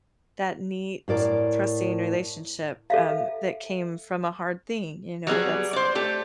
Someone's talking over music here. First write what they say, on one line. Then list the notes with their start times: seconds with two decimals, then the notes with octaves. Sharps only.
that neat trusting relationship, um, that came from a hard thing, you know, that's
1.08 A2 A#4 D5
2.90 A4 E5 F5
5.27 F#3 G3 B3 G#4
5.73 C5 D5
5.95 A3 G4 A4